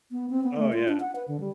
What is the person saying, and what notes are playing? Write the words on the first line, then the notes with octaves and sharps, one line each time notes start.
Oh, yeah.
B3
C4
B3
A3
F4
D4
F#5
B4
D3
G3